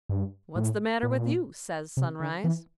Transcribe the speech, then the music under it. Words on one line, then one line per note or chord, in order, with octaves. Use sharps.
"What's the matter with you?" says Sunrise.
G2
A2
A#2
C3
D3
E3